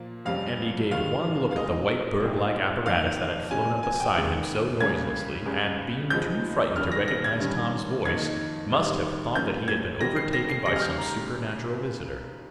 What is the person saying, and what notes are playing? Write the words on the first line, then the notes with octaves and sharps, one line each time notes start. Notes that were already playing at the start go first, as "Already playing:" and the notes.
Andy gave one look at the white bird-like apparatus that had flown up beside him so noiselessly, and, being too frightened to recognize Tom's voice, must have thought that he had been overtaken by some supernatural visitor.
Already playing: A#2 F3 A#3
F2 C3 G3 C#4 F5
D#2 D#3 G3 F5
F5
A#2 G#3 D#4 D#5
C2 A#2 G3 C4 D#4
F2 D#3 A#3 F5
C3 F3 G#3 C#4 G#5
G#5
G5
C#2 C3 D#3 G#3
C#2 C#3 G3 A#3 G#6
C#2 C#3 G3
C#2 C3 F3 G#3 D#4 G6
G2 D#3 G3 C#4 F6
A#6
A#6
G#6
G2 D#3 G3 C#4
F2 D#3 A#3 D#4 G#6
D#2 D#3 G3
G2 F3 A#3 C#4 G6
G#6
G2 D#3 G3 C4 A#6
C7
A#6
C7
D#2 C#3 G3 A#6
F6
G6
A#5